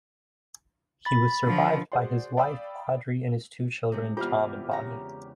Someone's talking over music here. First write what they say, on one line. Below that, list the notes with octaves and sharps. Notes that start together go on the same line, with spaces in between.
He was survived by his wife, Audrey, and two children: Tom and Bonnie.
B5 A6
D3 F3
F#4 G#4 C5 D5 F#5 C6
D5 F5 G5 B5 D#6 E6
C3 G#3 C4
E2 E4 F4 G4 C5 F6
C#3 A#5